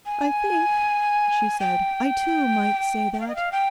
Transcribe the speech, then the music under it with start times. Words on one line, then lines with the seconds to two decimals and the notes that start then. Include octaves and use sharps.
'I think,' she said, 'I too might say that.
0.06 G#5
1.60 G5
3.14 G5
3.20 F5
3.28 D#5
3.36 F5
3.52 G5